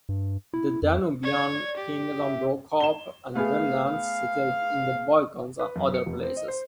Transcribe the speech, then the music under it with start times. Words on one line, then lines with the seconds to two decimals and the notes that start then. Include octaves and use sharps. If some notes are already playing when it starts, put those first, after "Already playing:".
The Danubian kingdom broke up and remnants settled in the Balkans and other places.
0.09 G2
0.54 E4
0.83 F2
1.23 C#5 D5 G#6
1.76 G4
2.20 E5
2.80 E7 G7
3.35 A3 B3 G#4 F5
5.60 B4
5.76 F#2
5.94 C#7
6.06 F1
6.23 C4
6.37 D#5
6.48 C5